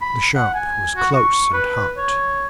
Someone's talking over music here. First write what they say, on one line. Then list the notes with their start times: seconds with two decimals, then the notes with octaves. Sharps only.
The shop was close and hot.
0.01 B5
0.35 F#5
0.54 G#5
0.96 F#4
1.11 C#6
1.53 B4
1.97 C#5